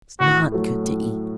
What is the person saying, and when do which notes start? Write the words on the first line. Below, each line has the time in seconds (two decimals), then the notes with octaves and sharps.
"It's not good to eat."
0.20 A2 F#4
0.52 F#3 A3
0.83 A2